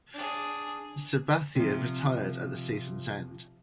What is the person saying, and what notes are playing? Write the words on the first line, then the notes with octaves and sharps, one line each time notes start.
Sabathia retired at the season’s end.
D4 G#4
C3 F3